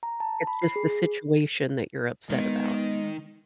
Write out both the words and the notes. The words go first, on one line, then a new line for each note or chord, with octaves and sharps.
It's just the situation that you're upset about.
A#5
A5
B5
C7
G#4
D#3 G#3 B3